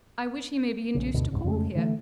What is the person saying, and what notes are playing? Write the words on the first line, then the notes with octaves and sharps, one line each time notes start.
I wish he may be induced to call here.
A#1 C#3
D2 G2 B2 D3
C2 F2 G#2 C#3
F2 C#3 G#3 A3
D3 E3 G3 A3